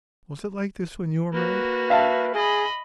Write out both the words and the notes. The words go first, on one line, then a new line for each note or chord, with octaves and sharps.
"Was it like this when you were married?"
A#3 F#4 B4
E5 F5 A5
G#4 D#5 B5